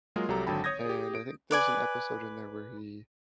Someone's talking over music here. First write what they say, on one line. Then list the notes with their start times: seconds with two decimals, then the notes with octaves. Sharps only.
and I think there's an episode in there where he
0.16 F#3 G#3 A#3 F4 G#4 A#4
0.29 C2 F#3 G4 A4 A#5
0.47 G#1 D3 F#3 G5 A5 B5
0.64 C#5 D#6 G6 G#6 A#6
0.85 G4 G#4
1.15 D7
1.51 B4 D5 G#5